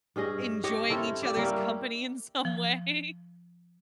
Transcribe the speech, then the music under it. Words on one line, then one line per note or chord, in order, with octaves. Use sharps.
enjoying each other's company in some way.
G2 C#4 G#4 D#5
G4 C#5 D#5
C4 C#4 E4 A4
G4 D5
G3 A#3 C#4 E4
F3